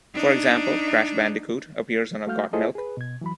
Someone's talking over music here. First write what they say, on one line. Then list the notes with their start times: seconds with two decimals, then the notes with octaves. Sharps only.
For example, "Crash Bandicoot" appears on a Got Milk?
0.14 D4 D#4
2.27 A3 F#4 F5 F6 G6
2.53 E4 F4 G#4 A4 C5 D#5
2.75 G#4 B4
2.97 B2 G#6
3.21 E3 F#3 B5